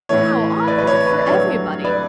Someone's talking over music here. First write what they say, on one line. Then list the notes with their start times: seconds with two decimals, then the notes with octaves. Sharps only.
How awkward for everybody!
0.09 A2 E3 A3 C#5
0.67 B4 D5
0.78 B4
0.87 C#5
1.07 B4
1.21 D5
1.26 G2 F#3 A3 C#5
1.84 B4 D5